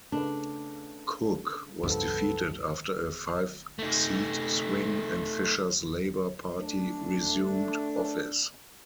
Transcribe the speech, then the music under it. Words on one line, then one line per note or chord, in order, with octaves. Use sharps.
Cook was defeated after a five-seat swing, and Fisher's Labor Party resumed office.
C#3 A3 D4 B4
C#2 G2 F3 B3 A4
A3 D#4
A3 D4